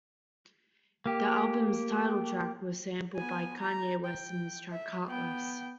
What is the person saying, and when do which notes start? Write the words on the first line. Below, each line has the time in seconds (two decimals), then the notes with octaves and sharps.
The album's title track was sampled by Kanye West in his track "Heartless".
1.06 A#3 G4
3.16 B3 G#5
3.59 A#5
4.05 G5
4.72 E5
5.07 B3 G5